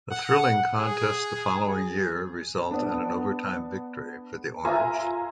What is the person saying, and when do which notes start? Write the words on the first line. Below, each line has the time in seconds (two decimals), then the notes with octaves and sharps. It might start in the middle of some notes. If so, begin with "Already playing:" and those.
A thrilling contest the following year result in an overtime victory for the Orange.
0.11 F#5
0.78 G#4
2.71 B3 D4
4.64 F4 E5 G#5 A#5 C6